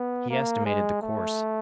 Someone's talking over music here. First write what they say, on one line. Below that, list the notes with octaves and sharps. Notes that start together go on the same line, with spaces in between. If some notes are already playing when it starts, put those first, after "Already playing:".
He estimated the course.
Already playing: B3
A#3
G#3
A3